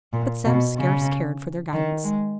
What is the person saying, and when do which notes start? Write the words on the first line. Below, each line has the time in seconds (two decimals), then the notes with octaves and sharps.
But Zeb scarce cared for their guidance.
0.13 A#2
0.45 B2
0.76 C#3
1.73 D#3
2.04 G#3